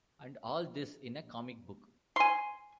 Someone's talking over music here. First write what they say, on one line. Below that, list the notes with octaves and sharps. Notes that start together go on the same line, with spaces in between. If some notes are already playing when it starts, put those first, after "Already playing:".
And all this in a comic book!
G#5 C6